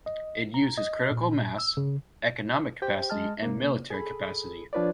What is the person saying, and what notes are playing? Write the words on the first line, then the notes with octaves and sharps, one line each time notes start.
It uses critical mass, economic capacity and military capacity.
D#5
A#5
D#5
A#2
E6
C#3
G4 C5 G5
G#3 D#5 A5 F6
C3 A#3
G#4 A4 B5
F3 D4 F4 B4 C#5 D5